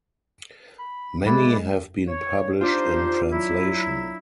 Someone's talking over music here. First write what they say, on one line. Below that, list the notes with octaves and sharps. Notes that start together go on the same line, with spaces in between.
Many have been published in translation.
B5
G#3 E4 B4 D5
C#5
D4 D#4 F4 G4 C5
F#3 E4